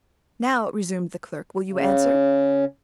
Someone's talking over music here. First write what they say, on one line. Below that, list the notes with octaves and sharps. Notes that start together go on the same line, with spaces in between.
"Now," resumed the clerk, "will you answer?"
C#3